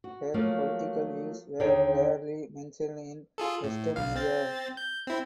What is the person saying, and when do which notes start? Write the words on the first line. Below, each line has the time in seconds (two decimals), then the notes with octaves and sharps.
Her political views were rarely mentioned in Western media.
0.04 F#4
0.34 F3 F#3 A3 A#3 F4
1.60 D#2 D3 D#4 G#4 C#5 G5
3.38 F4 G#4 A4
3.64 A2
3.96 B1 F5
4.15 C4 A6
4.77 G6
5.07 C4 E4